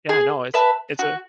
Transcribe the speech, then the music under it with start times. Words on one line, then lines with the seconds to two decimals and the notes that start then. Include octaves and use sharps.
yeah, no, it's it's a
0.09 G#4
0.54 B4 E5 A5
0.99 F#4